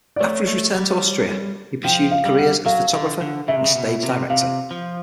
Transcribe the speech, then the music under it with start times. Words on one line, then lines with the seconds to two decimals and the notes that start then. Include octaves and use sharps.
After his return to Austria, he pursued careers as a photographer and stage director.
0.16 D5
0.20 A3 C#5
0.47 A3
0.75 G3
1.84 F3 G5
2.11 F5
2.25 G3
2.39 F#5
2.66 F#3 F5
2.94 D3
3.21 D3
3.48 C#3 E5
3.56 C3
3.64 C#3
3.75 B2
4.03 C3
4.30 C3 F5
4.71 F3